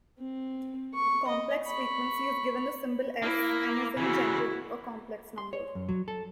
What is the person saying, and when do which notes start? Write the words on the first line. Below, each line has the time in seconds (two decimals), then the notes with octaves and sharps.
Complex frequency is given the symbol "s" and is, in general, a complex number.
0.19 C4
0.94 C#6
1.27 D#5
1.67 B5 C#6
3.22 A#3 E4
3.97 C#3 E3 E4 F#4
5.38 C6
5.53 C#5
5.75 F#2
5.89 F#3
6.08 A4